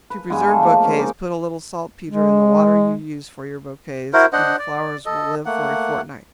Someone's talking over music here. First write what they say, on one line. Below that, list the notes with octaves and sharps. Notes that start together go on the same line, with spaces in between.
To preserve bouquets, put a little saltpetre in the water you use for your bouquets, and the flowers will live for a fortnight.
B4
G2 G#3 B3 G#5
A3 A4 F5
F3 A#3
G#3 C#4
D#4 A#5 D6
G#3
E4 F#4 A#4 C5
D4 C5 D#5 F#5
D5
A4 D#5
A3 A#3 F#5